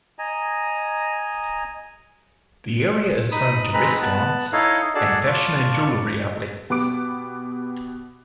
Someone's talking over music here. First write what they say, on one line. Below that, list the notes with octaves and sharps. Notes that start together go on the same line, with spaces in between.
The area is home to restaurants and fashion and jewellery outlets.
D#5 G#5 A#5
D#4 B5 D#6
G#3 C4 D#4 B4 A#5 B5
B3 A5 F#6
D#4 E4 A4 C#5 D#5 F5
D4 F#4 G#4 A4 D5 A5
F4 D5 A5 C#6
B2 B3 G4 D6 D7